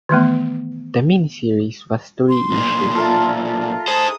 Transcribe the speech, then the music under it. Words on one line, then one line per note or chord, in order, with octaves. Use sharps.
The mini-series was three issues.
D#3 E3 A3 B3
C6
B1 A#2
F4 A4 A#4 E5
G#4 C5 A5 D#6